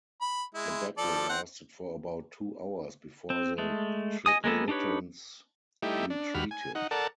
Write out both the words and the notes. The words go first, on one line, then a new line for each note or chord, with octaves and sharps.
The battle lasted for about two hours before the Tripolitans retreated.
B5
G#3 E4
F3 A4 D5
C4 F#5
C4
G#3 A3
D#5 G#5 D#6
G#3 A#3 B3 A4
D4 D#4 G4 B4 C#5
G3 A3 D#4 E4 G4
D4
D#2 G3 F#4 B5 F6
G#5
D#4 F#5
A4 A#4 D5 F#5 A5